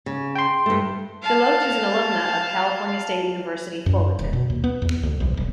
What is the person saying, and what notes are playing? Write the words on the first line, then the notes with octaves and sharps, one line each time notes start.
DeLoach is an alumna of California State University, Fullerton.
C#3
G5 C6
G2 A3
F5 A5
F#2
D#1
B2
D#2
B3
E2
D2
B1
D#1